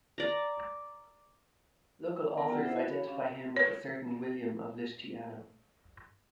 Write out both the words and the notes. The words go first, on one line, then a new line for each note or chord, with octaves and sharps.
Local authors identify him with a certain William of Lisciano.
D5 A#5
B3 A#4 D5 G5 G#5 A#5
B3 E4 F4 G4 F#5
D4 E4 C5 E5
F#4
C#5 B5
C#4 D4 G4 F5 B5
B4 C#5